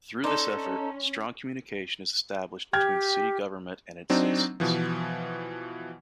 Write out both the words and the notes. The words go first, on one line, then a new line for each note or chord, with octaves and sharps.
Through this effort, strong communication is established between city government and its citizens.
C#4 D#4 A4 C5 D5
G4 G5 F6 G#6
F#3 C4 D4 D#4
B2 E3 F3